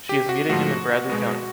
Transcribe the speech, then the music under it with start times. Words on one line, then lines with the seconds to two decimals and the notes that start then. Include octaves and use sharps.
She is meeting him in Bradley County.
0.09 G4
0.29 F#4
0.49 G#2 F3 A3 F#4
1.09 B2 G#3 B3